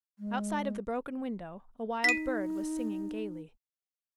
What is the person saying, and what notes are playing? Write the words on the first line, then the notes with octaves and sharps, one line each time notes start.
Outside of the broken window a wild bird was singing gayly.
G#3
D#4 B6 D#7